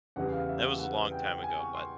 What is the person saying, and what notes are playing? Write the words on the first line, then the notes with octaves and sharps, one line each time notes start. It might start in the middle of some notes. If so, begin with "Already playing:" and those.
That was a long time ago, but,
E2 C#3 E3 G3 F#5
F5
E5
E5
F#5
G5
G#5
C#6
C6